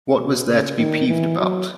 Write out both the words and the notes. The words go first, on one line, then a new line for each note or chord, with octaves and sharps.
What was there to be peeved about?
B2
C#3
D#3
E3
F#3